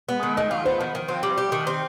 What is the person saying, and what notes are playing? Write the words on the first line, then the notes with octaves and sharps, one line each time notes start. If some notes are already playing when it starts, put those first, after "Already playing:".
Monarch, like in a butterfly.
B3
D#3
D#3 D#5
F4
B3 C5
D#3
D#3
C4
G3
G4
D#3
C4